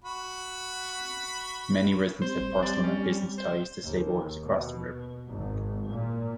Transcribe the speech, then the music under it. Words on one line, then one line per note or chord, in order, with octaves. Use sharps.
Many residents had personal and business ties to slaveholders across the river.
F#4 B5
G3 C4 C5
A1
G3 C4 D5
C#4
C5
D#2
B2
G#1
A#2